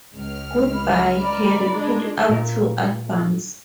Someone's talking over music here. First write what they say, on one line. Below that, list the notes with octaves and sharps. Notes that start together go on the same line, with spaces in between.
Goodbye Harry put out two albums.
C#2 F6
B5
D5 A#5
G#3 D4
A#2 A#4